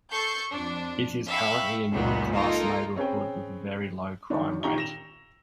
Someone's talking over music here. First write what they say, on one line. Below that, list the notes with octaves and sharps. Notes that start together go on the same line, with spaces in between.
It is currently a middle-class neighborhood with a very low crime rate.
A4 C#6 G6 C7
F2 D4
E5 F5 G5 B5 C#6
C#2 F#2 A#2 D#3 G3 B3
A#3 D#4 F4 A4 A#4
C4 C#4 G#4 B4 G5
D#3 F#3 D4
A#2 D#3 G4 A#5 C#6 G7
A#6 E7 F7